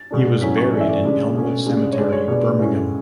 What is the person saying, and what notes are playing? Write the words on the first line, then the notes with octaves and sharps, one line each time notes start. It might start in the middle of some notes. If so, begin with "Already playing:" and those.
He was buried in Elmwood Cemetery, Birmingham.
Already playing: A6
B2 G#3 D4
A2 F#3 C#4 B6
C#6
E3 A3 C#4 D5
E5
D5
C#3 G#3 D4
B2 A3 C#4
C#3 G#3 D4
C#5
D3 G#3 D4 D5
C#5
B2 G#3 B3 D4
A2 G#3 C#4